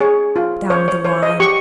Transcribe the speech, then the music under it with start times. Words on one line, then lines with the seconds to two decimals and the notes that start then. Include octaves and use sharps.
Damn the wine!
0.01 G#4 C#5
0.36 F4
0.70 C5 C#5
0.88 C#5
1.05 C5 C#5
1.23 D#5
1.40 G4 C#6